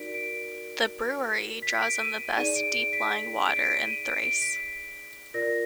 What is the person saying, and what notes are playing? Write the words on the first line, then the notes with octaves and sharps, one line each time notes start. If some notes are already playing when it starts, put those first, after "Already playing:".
The brewery draws on the best deep-lying water in Thrace.
Already playing: D#4 F#4 A#4 D5 B6 D7
D7
B6
D7
D#7
D#4 G#4 D5 D#7
D7
D7
B6
D7
B6
D7
D#7
D7
D7
B6
F4 A#4 D5 A#6